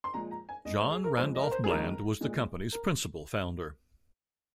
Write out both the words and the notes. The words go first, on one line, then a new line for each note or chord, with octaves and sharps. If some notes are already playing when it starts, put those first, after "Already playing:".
John Randolph Bland was the company's principal founder.
C6
A#2 F3 G#3 A#5
A#5
G#5
G#2 G#3 D#5
C5
G#4
A#4
F2 F3 G#3 C5
D#5
A#4
C5
G#4
F2 D#3 G#3 A#4
A#2 G#3
A#4